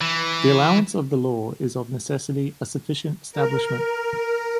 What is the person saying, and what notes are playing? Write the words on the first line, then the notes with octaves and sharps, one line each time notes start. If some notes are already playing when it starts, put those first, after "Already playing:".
The allowance of the law is of necessity a sufficient establishment.
E3
A#4